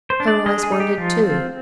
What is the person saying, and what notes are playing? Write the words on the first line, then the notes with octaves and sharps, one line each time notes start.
Her eyes wandered too.
C5
D4
D5
G#3 D#5
G#4
D#4
G4
F3 F4
C4 F4